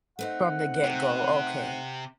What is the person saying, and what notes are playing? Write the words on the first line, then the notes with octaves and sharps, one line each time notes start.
From the get-go, okay.
A3 C4 D#4 F#5
C3